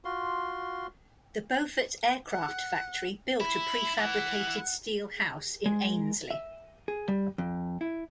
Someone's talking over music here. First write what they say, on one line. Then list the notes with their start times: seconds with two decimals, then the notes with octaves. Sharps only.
The Beaufort aircraft factory built a prefabricated steel house in Ainslie.
0.05 F4 F#4 C6
2.31 F#5
3.40 E4 B5
3.98 E3 E4 F#5
5.66 G#3
6.31 E5
6.88 G#4
7.08 G3
7.38 F2
7.81 E4